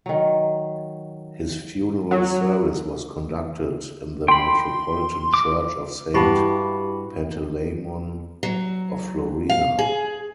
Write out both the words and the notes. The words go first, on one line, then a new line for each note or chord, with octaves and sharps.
His funeral service was conducted in the Metropolitan Church of Saint Panteleimon of Florina.
D#3 F#3
F#3
G5 B5 C6
D6
G2 E4 F#4 G4 B4 A5 B5 C#6
F#3
F5
G#4